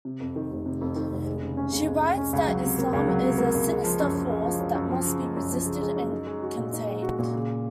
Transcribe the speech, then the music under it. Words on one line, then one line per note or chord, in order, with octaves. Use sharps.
She writes that Islam is a "sinister force" that must be resisted and contained.
C3
F2
D#3
F1
C3
F2
D#3
F1
G#3
C#3
C#4
C#2
G#3
C#3
C#4
C#2
F#3
C3
A#3
C#2
F#3
C3
A#3
C#2
G#3
F3
F#2
F#2
G#3
F3
F#2
F#2
F3
C#3
G#3
F#2
F3
C#3
G#3
F#2
D#4
G#3
F#4
A#2
D#4
G#3
F#4
A#2
C#3